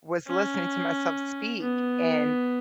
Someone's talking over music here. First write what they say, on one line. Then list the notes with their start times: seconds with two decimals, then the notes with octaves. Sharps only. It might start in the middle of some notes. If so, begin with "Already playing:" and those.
was listening to myself speak and
0.27 C#4
1.61 B3